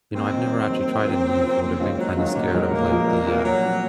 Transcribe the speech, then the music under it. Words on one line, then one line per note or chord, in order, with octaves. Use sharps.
You know, I've never actually tried Indian food, I've been kinda scared of, like, the, uh,
D#2 C4
D#3 F#3
D#2
D#3 F#3
D#2
C#3 F3 A#3
D#2
C#3 F3 A#3
D#2 C4
D#3 G#3 C#4 F4
D#2 F#3
D#3 G#3 C#4 F4
A#2 F#3
F3 G#3 D#4 A#4
A#2 A#3
F3 G#3 D#4 A#4
C2
A#2 F3
C2 F#3
A#2 F3